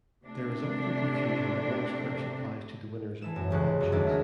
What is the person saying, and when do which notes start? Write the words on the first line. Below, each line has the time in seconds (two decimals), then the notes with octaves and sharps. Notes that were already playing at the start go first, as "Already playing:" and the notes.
There is often confusion that winner's curse applies to the winners of all auctions.
0.24 C3 A3 D4
3.22 E3 A3 E7
3.36 F#2
3.51 F1 C#2 C#3 F#6
3.80 F#2
3.92 E2 D#3 F#3 A3 A#3 D4
4.07 G#4 A#4 E5